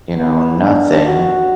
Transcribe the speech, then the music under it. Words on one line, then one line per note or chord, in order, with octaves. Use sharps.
you know, nothing
B3
D4
F#4